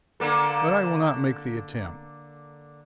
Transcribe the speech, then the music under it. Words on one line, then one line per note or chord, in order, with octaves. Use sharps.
But I will not make the attempt.
D3 A#3 A4